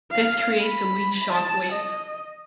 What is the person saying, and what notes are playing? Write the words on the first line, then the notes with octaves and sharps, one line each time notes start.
This creates a weak shock wave.
F5
B5
A5
D#5